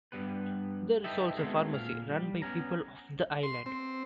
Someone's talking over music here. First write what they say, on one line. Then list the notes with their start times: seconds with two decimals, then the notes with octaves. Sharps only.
There is also a pharmacy run by people of the island.
0.12 G2 A#2 G3 B3 B4
1.04 D#4 G4 A4 B4 D#5 E5
1.37 D3 F#3 G#3 A3 B3 C4
1.74 A#2 F5
2.10 G3
2.42 B3 C#4 A#5
3.43 C6
3.66 C4